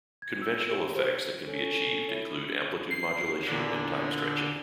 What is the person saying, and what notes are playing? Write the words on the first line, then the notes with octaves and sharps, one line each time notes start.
Conventional effects that can be achieved include amplitude modulation and time stretching.
G#6
E6
G4
C5
C#4 A4
E4
C7
E2 A#2 D3 B6